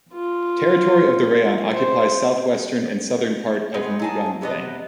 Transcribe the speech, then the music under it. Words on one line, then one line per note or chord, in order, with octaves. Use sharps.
Territory of the rayon occupies south-western and southern part of Mugan plain.
F4
C5
G#3 B3 C4
F#3 G#4 A5
C3 B3 D#5